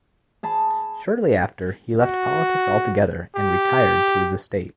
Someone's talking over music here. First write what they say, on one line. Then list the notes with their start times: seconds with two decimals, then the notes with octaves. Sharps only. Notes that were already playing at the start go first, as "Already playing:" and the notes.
Shortly after he left politics altogether and retired to his estate.
0.43 G#4 A5 B5
2.00 F#4
3.36 G4